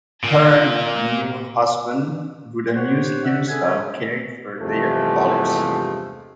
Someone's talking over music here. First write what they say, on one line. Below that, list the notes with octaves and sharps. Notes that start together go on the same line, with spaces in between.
Her new husband would amuse himself caring for their olives.
A#2 A#3
G4 C5 C#5 F#5
D5 E5 F#5
G#4 A4 B4 G#5
C#3 F3 A3 C4 C#4
E2 G2 C3 F3 G#3 A3